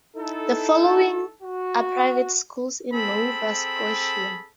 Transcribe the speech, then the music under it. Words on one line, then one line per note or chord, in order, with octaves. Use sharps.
The following are private schools in Nova Scotia.
D#4 E4 A4
F#4
C4 G#4 A4 B5